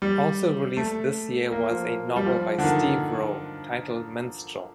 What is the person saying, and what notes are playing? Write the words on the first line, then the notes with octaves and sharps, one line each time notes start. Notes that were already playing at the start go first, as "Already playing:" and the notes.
Also released this year was a novel by Steve Rowe titled Minstrel.
G3
A3
A#3
F3
G3
F3
D3
D#3